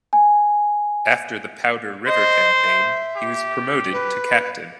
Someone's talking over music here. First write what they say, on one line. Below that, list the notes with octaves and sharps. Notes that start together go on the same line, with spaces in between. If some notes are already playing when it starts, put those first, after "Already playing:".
After the Powder River campaign he was promoted to captain.
G#5
C5 D#5
E5
G4
B4